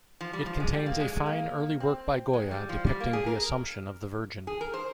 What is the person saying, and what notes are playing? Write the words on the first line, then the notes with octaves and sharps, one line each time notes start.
It contains a fine early work by Goya depicting the Assumption of the Virgin.
F3
G3
F3
G#3
G3
A#3
G#3
G#3
A#3
C4
G#3
G3
F3
G3
A#3
G#4
A#4
G#4
A#4
C5